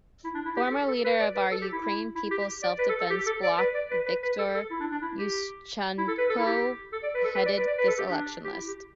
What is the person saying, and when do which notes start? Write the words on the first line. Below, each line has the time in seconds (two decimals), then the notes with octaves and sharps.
Former leader of Our Ukraine-People's Self-Defense Bloc Viktor Yushchenko headed this election list.
0.24 E4
0.35 D4
0.45 E4
0.56 G4
0.71 A4
0.88 A4
1.04 B4
1.19 D5
1.35 B4
1.51 A4
1.62 G4
1.72 E4
1.83 E4
2.15 E4
2.31 G4
2.63 D5
2.79 B4
2.89 A4
3.00 A4
3.10 G4
3.26 A4
3.43 D5
3.58 B4
3.74 D5
3.91 B4
4.06 B4
4.23 B4
4.39 A4
4.55 A4
4.70 E4
4.80 D4
4.91 D4
5.02 E4
5.17 G4
5.98 E4
6.08 A4
6.18 B4
6.29 A4
6.38 E4
6.46 G4
6.92 A4
7.03 D5
7.14 B4
7.24 A4
7.35 B4
7.46 D5
7.57 B4
7.67 D5
7.78 B4
7.88 A4
7.98 G4
8.10 D4
8.44 G4
8.52 E4
8.68 G4